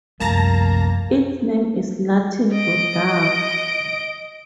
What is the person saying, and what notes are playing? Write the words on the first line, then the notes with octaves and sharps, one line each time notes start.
Its name is Latin for dove.
C2 F#2 F3 A3 A#3 A5 A#5 A#6
D#5 D7